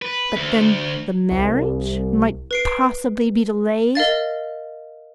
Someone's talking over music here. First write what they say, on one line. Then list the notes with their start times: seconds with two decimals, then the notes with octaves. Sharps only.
But then the marriage might possibly be delayed.
0.02 B4
0.36 D2
1.31 C2
2.51 B4 C7 D7
3.95 A#4 D#5 F5 A6